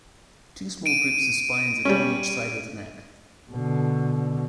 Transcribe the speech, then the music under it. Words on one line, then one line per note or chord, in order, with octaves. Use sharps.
Two small groups of spines adorn each side of the neck.
D7 D#7
G3 C#4
B2 D3